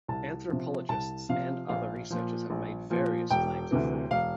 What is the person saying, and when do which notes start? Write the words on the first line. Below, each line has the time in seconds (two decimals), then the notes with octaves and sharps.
Anthropologists and other researchers have made various claims of fraud.
0.08 C2 A5
0.49 C3 F3
0.89 C2 A5
1.29 C3 F3 F5
1.69 A#1 F5
2.11 A#2 F3
2.50 A#1
2.90 A#2 F3
3.30 E1 G5
3.71 D2 C3 E3
4.11 E1 F5